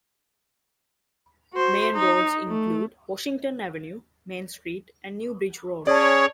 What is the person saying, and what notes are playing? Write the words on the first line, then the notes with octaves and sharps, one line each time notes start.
Main roads include Washington Avenue, Main Street and New Bridge Road.
F#4 C5
D#4
A3
C#4 G#4 C#5 D5 A5